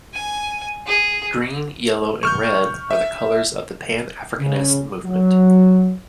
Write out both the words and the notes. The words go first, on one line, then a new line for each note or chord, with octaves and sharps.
Green, yellow and red are the colours of the Pan-Africanist movement.
G#5
G#4
C#6 F6 G6
E5
C#3
F#3